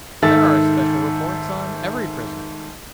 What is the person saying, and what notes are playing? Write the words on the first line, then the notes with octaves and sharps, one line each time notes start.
"There are special reports on every prisoner."
G#2 D#3 A4 E5 A6